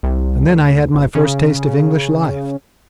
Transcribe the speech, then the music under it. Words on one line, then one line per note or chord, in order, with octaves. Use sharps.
And then I had my first taste of English life.
C2
D2
F#1
C#3